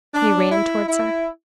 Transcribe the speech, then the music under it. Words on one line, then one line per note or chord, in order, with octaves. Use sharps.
He ran towards her.
D4
E4
E4